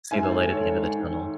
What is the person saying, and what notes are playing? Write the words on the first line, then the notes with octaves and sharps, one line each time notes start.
See the light at the end of the tunnel.
G#2 E5 G#5
C5
A4
D#3
A4 C#5
G#2
D#3